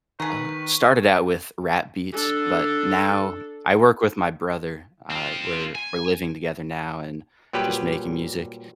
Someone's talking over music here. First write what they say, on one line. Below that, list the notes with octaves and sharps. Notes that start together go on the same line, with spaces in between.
Uh, started out with rap beats, but now I work with my brother. Uh, we're we're living together now and just making music.
D#3 G#4 B4 A#5 C#6
D4 A4
C4 F4
G#5
A#2 F#3 G3 G4 B4